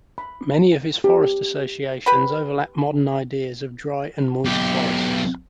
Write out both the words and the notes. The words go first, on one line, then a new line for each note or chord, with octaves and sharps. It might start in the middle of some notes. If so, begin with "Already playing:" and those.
Many of his forest associations overlap modern ideas of dry and moist forests.
B5
G4
G4 B4 G5 B5
B1 G4